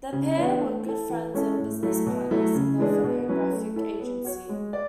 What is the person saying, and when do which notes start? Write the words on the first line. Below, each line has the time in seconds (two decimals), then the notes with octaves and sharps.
The pair were good friends and business partners in a photographic agency.
0.13 C#3
0.37 E3 B3 D4
0.61 A3
0.86 E4 A4
1.10 E3
1.34 G#3 C#4 E4 A4
1.59 A2
1.83 F#3 A3 E4
2.06 B2
2.31 F#3 A3 E4
2.55 C#3
2.79 E3 G#3 D4 G#4
3.04 B2
3.28 F#3 C#4 E4 B4
3.52 A3
3.76 E4 A4 C#5
4.00 B3
4.24 F#4 C#5
4.49 G#3
4.73 D5